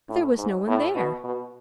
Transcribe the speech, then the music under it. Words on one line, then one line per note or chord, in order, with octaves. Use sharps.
There was no one there!
A2
G#2
A2
B2
B2